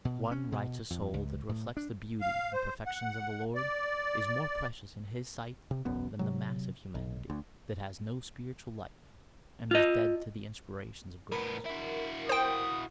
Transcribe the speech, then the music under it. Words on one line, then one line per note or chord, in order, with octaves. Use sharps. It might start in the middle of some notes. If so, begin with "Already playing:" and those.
One righteous soul that reflects the beauty and perfections of the Lord, is more precious in His sight than the mass of humanity that has no spiritual life, and is dead to the inspirations of grace.
B2
C#4
B2
F2
C#2
A2
D4
F5
C5
F#5
D5
C3
E1 B1 F#2 B3
C3 F#3
B1
D2
F4 D#5
A2 B3 A#4
E4 F#4
C5 G5 D#6